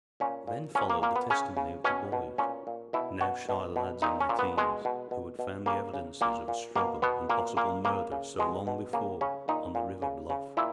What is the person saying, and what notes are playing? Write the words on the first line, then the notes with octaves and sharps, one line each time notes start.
Then followed the testimony of the boys--now shy lads in their teens, who had found the evidences of a struggle and possible murder so long before on the river bluff.
A#2 C#4
A#2
A#2 C#4
A#3
A#2 A#3
B3
C#3 C#4
C#3
B2 C#4
B2
A#2 C#4
A#2
B2 E4
B2 F#4
B2
B2
A#2 D#4
C#4
A#2
B3
B2 G#3
B2
B2
B2
C#3 A#3
C#3
A#2 A#3
A#2
B2 A#3
B2 B3
A#2 A#3
A#2 A#3
C#3 A#3
C#3
B2 G#3
B2
C#3 A#3
C#3 C#4
A#2 D#4
A#2
C#3
C#3
A#2 E4